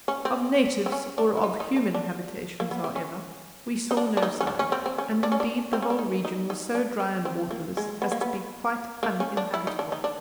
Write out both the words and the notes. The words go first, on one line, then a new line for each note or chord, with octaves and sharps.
Of natives or of human habitations, however, we saw no signs, and indeed the whole region was so dry and waterless as to be quite uninhabitable.
C#4
C4
C4
C#4
D4
E4
D#4
D#4
D4
D4
A#3
B3
C4
C#4
D#4
D4
D4
D#4
C#4
D4
C#4
C4
C4
C#4
D4
C#4
D4
C4
C#4
D4
D#4
D#4
D#4
D4
C4
C4
A#3
G#3
B3
A#3
B3
A#3
C#4
D4
E4
D#4
D4
D#4
D4